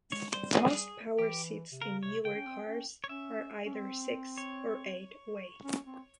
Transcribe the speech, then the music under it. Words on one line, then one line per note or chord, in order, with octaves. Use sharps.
Most power seats in newer cars are either six- or eight-way.
G#3 C#5
G3 C5
G#4
E3 G4
C3
C#3 A#4
C3 C#5
C#3 G5
C#4
C4
C#4
C#5
C#4 E5
C#4
C4
C#5
C#4
C4